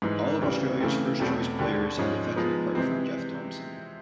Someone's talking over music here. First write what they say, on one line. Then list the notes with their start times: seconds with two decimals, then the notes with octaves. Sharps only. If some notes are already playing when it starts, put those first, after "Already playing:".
All of Australia's first-choice players had defected apart from Jeff Thomson.
0.02 G#2 E3 G#3
0.41 D2 C#3 E3 G3
0.81 C#3 E3 A3 C4
1.19 E2 B2 F#3 A3 C4
1.58 D#2 D3 G3
1.97 G#2 F3 G#3 C#4
2.36 F3 G#3 B3 D#4
2.75 C3 E3 G#3 C4